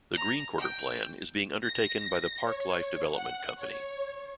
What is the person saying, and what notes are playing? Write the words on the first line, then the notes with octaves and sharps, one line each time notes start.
The "Green Quarter Plan" is being undertaken by the Parc life development company.
A#5
G5
A#6
C#5
F#5
C#5